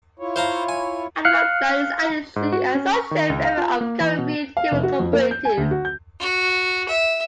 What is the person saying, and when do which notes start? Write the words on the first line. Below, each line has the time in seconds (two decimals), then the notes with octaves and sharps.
Animal Planet is additionally an associate member of the Caribbean Cable Cooperative.
0.19 E4 F4 C#5
0.36 C5 F5 A#5
0.69 G#5
1.25 F5 F6 F#6 C7 C#7
2.36 G#2
2.52 F#4
2.75 C#4
2.94 C#6
3.11 D#3
3.30 C#2
3.45 F5
3.58 F4
3.81 A#3
4.00 E3
4.18 B2
4.57 F5
4.72 F1
4.83 F#4
5.00 F2
5.13 A#3
5.31 G6
5.45 G#5
5.57 D2
5.71 F#4
5.85 G6
6.20 F#4
6.88 E5